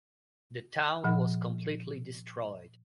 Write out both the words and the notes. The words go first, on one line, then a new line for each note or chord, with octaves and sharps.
The town was completely destroyed.
A#2 F3 F#5